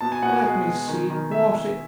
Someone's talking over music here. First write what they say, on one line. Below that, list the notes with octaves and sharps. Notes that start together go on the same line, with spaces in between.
Let me see--was it?
B2 A5
G#5
B2 F#5
G#5
G#3
B2
D#3
D#3
D#3 E5